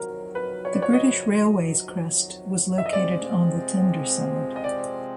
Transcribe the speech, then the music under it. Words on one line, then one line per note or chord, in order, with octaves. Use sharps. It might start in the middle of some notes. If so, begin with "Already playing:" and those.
The British Railways crest was located on the tender side.
Already playing: F2 C3 D#3 F#3 A#4
B4
C#5
D5
C#5
D#5
E5
D#5
C3 F3 G#3 C4 D5
D#5
D5